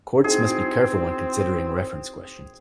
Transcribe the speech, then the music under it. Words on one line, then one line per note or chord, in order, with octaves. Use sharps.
Courts must be careful when considering reference questions.
C4 D#4 E4 F#4 G#4